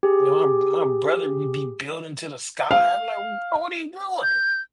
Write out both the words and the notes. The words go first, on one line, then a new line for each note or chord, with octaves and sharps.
You know, m my brother would be building in to the sky. I'd be like, "Bro, what are you doing?"
G4 G#4
F5
G6